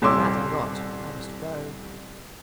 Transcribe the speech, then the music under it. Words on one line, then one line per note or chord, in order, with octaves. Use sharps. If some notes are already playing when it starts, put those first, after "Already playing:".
"Mad or not, I must go."
D#1 C2 C#5 C6 D6 E6